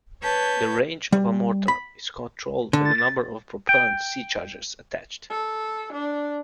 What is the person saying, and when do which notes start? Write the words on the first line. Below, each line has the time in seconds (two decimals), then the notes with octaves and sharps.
The range of a mortar is controlled by the number of propellant "C-charges" attached.
0.22 B4 C#5 A5 G6
1.12 G3
1.68 B5
2.73 D3
3.69 G5
5.30 A4
5.93 D4